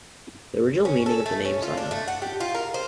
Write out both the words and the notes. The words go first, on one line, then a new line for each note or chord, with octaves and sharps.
The original meaning of the name is unknown.
C#4
A4
A3
C#4
F4
D4
A3
F#5
G4
F4
A#4
C5